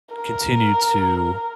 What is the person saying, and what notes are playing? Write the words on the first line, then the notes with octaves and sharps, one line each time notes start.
continue to
A#4